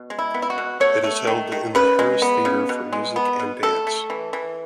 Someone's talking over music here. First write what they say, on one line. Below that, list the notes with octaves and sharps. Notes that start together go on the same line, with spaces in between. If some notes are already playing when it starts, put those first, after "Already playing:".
It is held in the Harris Theater for Music and Dance.
Already playing: B2
G#3
E4
B3
E4
F#4
B2
A3 C#5
A3
D#3
D#3
C#3 B4
G#3
B3
C#3
B2
G#3
B3
B2
A3 A4
A3
E3
E3